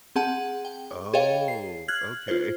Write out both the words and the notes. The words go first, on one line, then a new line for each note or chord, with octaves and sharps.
Oh, okay.
C4 G#4 F#5 A5
G5
G#4 A4 C#5 D#5 F5 G5
C7
F6 F#6 G#6 F#7
F4 C5